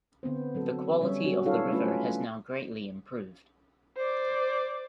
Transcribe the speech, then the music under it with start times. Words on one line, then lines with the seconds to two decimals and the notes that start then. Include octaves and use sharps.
The quality of the river has now greatly improved.
0.23 D3 B3 C4 C5
0.55 F#3 C4 A4
1.01 G3 C#4 C#5 E5
1.24 F#3 F#4 G4
1.46 D4 E4 A4 B4 C#5 F5
1.71 A3 C#4 F4 B4
3.96 C5 D5